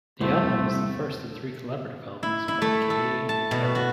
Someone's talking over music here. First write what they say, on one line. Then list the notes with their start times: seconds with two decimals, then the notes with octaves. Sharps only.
The album was the first of three collaborative albums by Gaye and Terrell.
0.21 C2 F2 A3 C4 C5
2.23 E4
2.48 E4
2.62 A3
2.90 A4
3.29 A5
3.51 B2
3.75 F#4